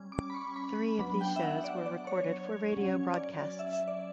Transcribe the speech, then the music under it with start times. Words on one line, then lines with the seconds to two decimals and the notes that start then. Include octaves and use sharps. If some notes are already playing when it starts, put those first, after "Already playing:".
Three of these shows were recorded for radio broadcasts.
Already playing: G3 C#4
0.12 D6
0.30 B5
0.34 C#6
0.56 B5
0.99 F#3 B3 D4 B5
1.21 G5
1.36 E5
1.43 F#5
1.64 D5
1.86 D5
2.07 C#5
2.73 F#3 C#4
3.15 D5
3.59 E5
3.73 E5
3.88 D5